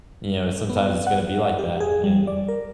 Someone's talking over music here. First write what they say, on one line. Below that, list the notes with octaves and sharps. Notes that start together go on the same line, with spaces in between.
you know, sometimes it's gonna be like that and
B3
F#5
G4
G#4
G3
D5
A#4